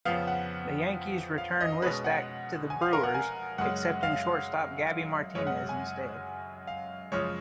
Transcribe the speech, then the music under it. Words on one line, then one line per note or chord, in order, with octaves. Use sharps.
The Yankees returned Listach to the Brewers, accepting shortstop Gabby Martinez instead.
F2 C#3 F3 B3 F5
F#5
F5
D#5
B2 G#3 C#4 B4
F#5
G#5
F5
A#4
F#5
G#5
F#2 C#3 G#3 F#5
F5
F#2 C#3 G#3 C#4 C#5
F#5
G#5
F5
F#2 C#3 F3 G#3 C#5